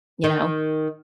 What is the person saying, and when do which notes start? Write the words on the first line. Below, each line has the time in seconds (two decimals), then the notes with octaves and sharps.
you know,
0.24 D#3